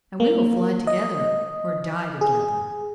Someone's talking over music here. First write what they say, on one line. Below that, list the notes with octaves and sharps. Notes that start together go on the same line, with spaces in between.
And we will fly together or die together.'
A#3
D#5
G#4